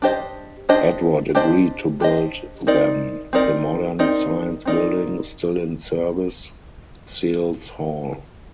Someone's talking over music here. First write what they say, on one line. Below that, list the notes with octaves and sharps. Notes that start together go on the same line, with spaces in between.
Edward agreed to build them the modern science building, still in service, Searles Hall.
D4 G4 C5 D#5
D4 G4 C5 D#5
D4 G4 C5 D#5
D4 G4 C5 D#5
C4 D#4 A#4 D5
C4 D#4 A#4 D5
C4 D#4 A#4 D5
C4 D#4 A#4 D5